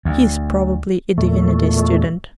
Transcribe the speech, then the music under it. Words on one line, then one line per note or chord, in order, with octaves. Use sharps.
He's probably a divinity student.
D2
E2 A#2 A3